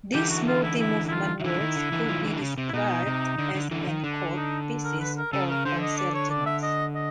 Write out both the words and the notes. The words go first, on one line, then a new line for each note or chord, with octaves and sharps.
These multi movement works could be described as encore pieces or concertinos.
D3 E3 G4
F#4
F4
E4
E4
E4
F4
D#3
D3 E3 E4
D#3
D3
D3 E3
D#3 F3
D3 E3
C#3
C3
E4
B2 D#4
C3
D3
D3
D3 E3
D#3
D3 D4
D#4
A#4
B4
A#4
C#3 A4
A#4
D3 C5
D#5
D5
C#5
D5
E5
D#5
D#5